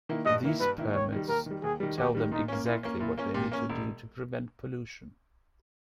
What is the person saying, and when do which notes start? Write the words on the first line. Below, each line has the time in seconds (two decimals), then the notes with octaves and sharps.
These permits tell them exactly what they need to do to prevent pollution.
0.09 D#3 A#3 E4
0.26 G2 D#5
0.43 D#3 A#3 E4
0.60 G2 B4
0.78 D#3 A#3 E4
0.95 D#2 C#5
1.12 D#3 G3
1.29 D#2 A#4
1.46 D#3 G3
1.63 D#2 G#4
1.80 D#3 G3
1.97 D#2 G4
2.15 D#3 G3
2.32 A#2 D#4
2.48 A#3 C#4
2.66 A#2 E4
2.83 A#3 C#4
3.00 A#2 E4
3.18 A#3 C#4
3.34 A#2 G4
3.52 A#3 C#4
3.69 E1